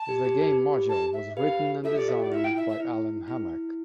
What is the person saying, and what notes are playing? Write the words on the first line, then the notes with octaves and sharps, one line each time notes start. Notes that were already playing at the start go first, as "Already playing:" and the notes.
The game module was written and designed by Allen Hammack.
Already playing: A5
G4
G4
G4 B4
A5
E5
G4 B4 F5
F4 A4 E5
G4 D5
F4 E5
F4 D5
E4 E5
G5
E5
E5
E4
E4